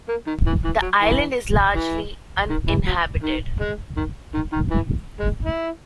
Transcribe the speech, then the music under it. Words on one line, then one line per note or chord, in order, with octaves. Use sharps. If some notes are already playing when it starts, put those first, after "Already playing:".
The island is largely uninhabited.
A#3
D#3
E3
E3
F#3
E3
E3
D#3
E3
F#3
D#3
G#3
D#3
D#3
D#3
E3
G#3
E4